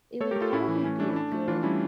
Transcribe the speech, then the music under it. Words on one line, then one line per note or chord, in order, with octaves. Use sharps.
it would probably be a good
A3 A4 C#5
G4 A#4
A3
F4 A4
A2 C#4 E4
E3
A3 C#4
A3 D4
E4
A3 D4
A3
E3 D4 F4
G3 C#4 E4